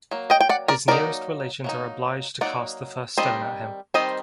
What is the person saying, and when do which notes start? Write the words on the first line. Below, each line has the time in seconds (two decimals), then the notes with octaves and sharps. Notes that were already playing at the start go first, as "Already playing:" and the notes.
His nearest relations are obliged to cast the first stone at him.
0.11 F#3 A#3
0.30 D#5 G5
0.41 G5
0.49 D5 F#5
0.68 A#4 D5
0.88 F#3 A#3 D#4 A#4 D5
1.64 F#3 A#3 D#4
2.41 F#3 A#3 D#4 D5 F#5
3.18 D#3 G3 C4 C5 D#5
3.94 D#3 G3 C4 C5 D#5